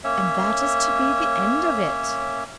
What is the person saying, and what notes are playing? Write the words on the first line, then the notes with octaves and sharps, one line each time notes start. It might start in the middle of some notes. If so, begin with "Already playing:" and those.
"And that is to be the end of it."
A#3 C#4 C#5 E5